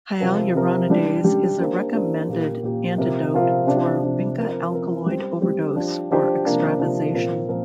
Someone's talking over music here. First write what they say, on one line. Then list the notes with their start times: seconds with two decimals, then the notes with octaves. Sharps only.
Hyaluronidase is a recommended antidote for vinca alkaloid overdose or extravasation.
0.20 C3 F3 C4 A#4
0.55 C3 F3 C4 A#4
0.90 G3 D4 G4
1.24 G3 D4 G4
1.60 A#3 D4 G4 C5
1.94 A#3 D4 G4 C5
2.29 A#2 A#3 G4
2.63 A#2 A#3 G4
2.98 C3 F3 C4 F4 A#4
3.33 C3 F3 C4 F4 A#4
3.67 C3 F3 D4
4.02 C3 F3 D4
4.37 F3 C4 A#4
4.71 F3 C4 A#4
5.06 G3 C4 G4 C5
5.42 G3 C4 G4 C5
5.76 F3 D4 G4 C5
6.11 F3 D4 G4 C5
6.45 C3 F3 A#3 D4
6.80 C3 F3 A#3 D4
7.14 A#2 F3 C4 F4 A#4
7.49 A#2 F3 C4 F4 A#4